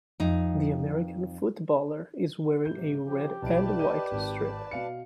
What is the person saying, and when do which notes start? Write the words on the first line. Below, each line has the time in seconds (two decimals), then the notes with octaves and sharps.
The American footballer is wearing a red and white strip.
0.20 F2 D#4
2.65 G#2 C3 G6
3.05 C#3 F3 G4
3.42 B1 E4 B4 D5 A5 D7
3.79 D#5 G6 D#7
4.11 G#1
4.71 B2 F5 C#7